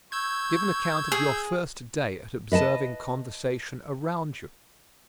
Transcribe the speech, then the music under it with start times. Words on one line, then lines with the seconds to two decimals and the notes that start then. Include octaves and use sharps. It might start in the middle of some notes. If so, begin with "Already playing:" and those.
Give an account of your first day at observing conversation around you.
0.12 C#6 E6 G6 G#6
1.12 G#4
2.52 B4 D#5 F#5 A5